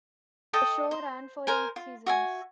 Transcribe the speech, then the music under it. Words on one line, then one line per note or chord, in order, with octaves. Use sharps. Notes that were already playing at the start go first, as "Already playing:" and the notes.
The show ran for eight seasons.
A4 D#5 G5 A5
C5
A#4 C5 G#5
F4
F#4 E5 G#5